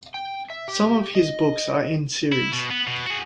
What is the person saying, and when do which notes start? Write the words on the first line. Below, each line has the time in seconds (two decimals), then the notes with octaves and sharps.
Some of his books are in series.
0.14 G5
0.50 E5
0.68 G4
1.15 D#5
2.32 E4
2.52 B2
2.70 B3
2.87 B2
3.07 F#4 G#4